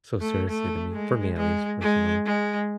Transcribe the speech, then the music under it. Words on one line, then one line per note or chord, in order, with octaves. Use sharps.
so seriously to me for me, at least, personally.
A3
A3
G#3
G#3
G#3
G#3